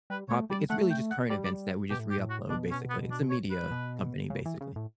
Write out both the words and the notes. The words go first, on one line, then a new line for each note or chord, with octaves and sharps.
Pop. It's really just current events that we just re-upload basically. It's a media company, basically.
G3 B4
A3 C#5
G3 D5
A3 F#5
G5
F#5
G3 D5
D5
B2 G4
A2
G2 G4
A2
F#4
B2 D4
C#4
B3
D4
C#5
B4
B2
C#3
E3
C#3
A2